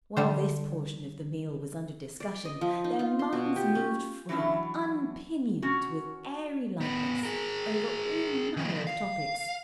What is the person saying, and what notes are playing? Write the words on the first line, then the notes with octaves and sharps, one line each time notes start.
While this portion of the meal was under discussion their minds moved free, unpinioned, with airy lightness, over all manner of topics.
D3 G3 C5
D5
D#5
F3
D#4
F4
C6
B2
G4
C#4
E3 F#3 C#4 D4 E4
C#4 F#4
A2 B3
G#4 A#4
D#3 F3
F5